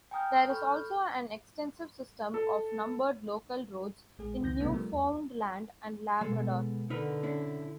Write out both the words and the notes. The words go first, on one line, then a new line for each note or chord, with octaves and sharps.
There is also an extensive system of numbered local roads in Newfoundland and Labrador.
G5 G#5 A#5 D#6 F6 G6
A4 B5 C#6 F6 G6
A4
A#1 G#3 G#4
C#2 F#2 D#3 G6 A#6
A#1 C3 G3 A3 B3 D4
F3 G3 A3 A#4
E2
B2 G#3 A4
D3 D#4 A#4 B4
C#4 D4 E4